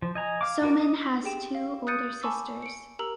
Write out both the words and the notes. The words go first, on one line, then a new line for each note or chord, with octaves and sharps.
Somin has two older sisters.
F3
D#5 G#5 A#5
F5 D6
D#4 F#4 A#4 D5
D#5
G4 G#4 G5 E7
F5
D#6 F#6 G6 A6 C#7 D#7
G#5 A5 B5 C#6 D6 E6
C#7 D7
G4 A#4 A#5 E6 F#7